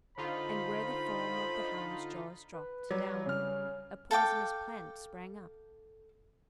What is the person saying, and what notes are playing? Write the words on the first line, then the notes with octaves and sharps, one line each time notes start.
And where the foam of the hound's jaws dropped down a poisonous plant sprang up.
D3 D#4 F4 C5 B5
B4
F#3 G3
C#3 C#4 F6
A4 F5 G5 D6